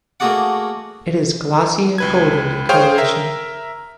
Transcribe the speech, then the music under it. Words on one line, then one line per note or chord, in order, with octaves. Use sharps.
It is glossy and golden in colouration.
A3 A#3 F#4 G#4 D5 F#5
C#2 B4 G#6
G#4 C5 C#5 F5 G5
A#4 E5